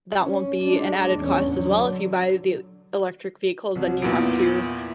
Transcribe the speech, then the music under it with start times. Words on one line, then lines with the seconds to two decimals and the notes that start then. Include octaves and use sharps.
that won't be an added cost as well, if you buy the electric vehicle, then you have to,
0.18 C#4
0.64 G#3 D4
1.16 E2 C#4
1.49 D3 F#3
3.75 C2 F#3
4.02 E2 A#2 B3 E4 D7